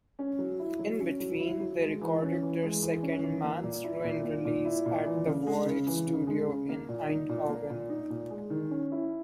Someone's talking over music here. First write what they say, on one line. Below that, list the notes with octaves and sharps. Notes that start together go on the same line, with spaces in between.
In between they recorded their second Man's Ruin-release at 'The Void'-studio in Eindhoven.
C#4
F#3
E4
F#3
C#4
F#3
E4
F#3
G#3
E3
C#4
E3
G#3
E3
C#4
E3
A#3
A#2
E4
A#2
A#3
A#2
E4
A#2
E3
C#3
G#3
C#3
E3
C#3
G#3
C#3
A#3
A#2
D#4
A#2
A#3
A#2
D#4
A#2
G#3
D#3
C#4
E4